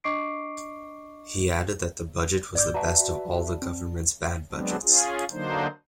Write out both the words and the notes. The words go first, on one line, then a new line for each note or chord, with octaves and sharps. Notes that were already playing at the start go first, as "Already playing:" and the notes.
He added that the budget was the best of all the government's bad budgets.
D4 D#5 C#6 D6 C7 D7
G#1 D5 D6 E6 G6
F#4 B4 D5 E5 F#5 A5 A#5
C4
F#3 G#3 B3 C4 D4
C#4 F4 G#4
D3 F#3 A#3 D4 D#4 C5